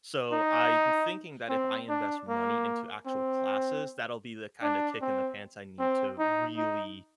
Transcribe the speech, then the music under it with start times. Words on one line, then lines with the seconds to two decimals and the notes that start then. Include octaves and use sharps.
So, I'm thinking that if I invest money into actual classes, that'll be the kinda kick in the pants I need to really,
0.32 D#4
1.49 C4
1.89 D4
2.28 A#3
3.06 C4
4.62 D4
5.02 C4
5.79 C4
6.19 D#4
6.57 D#4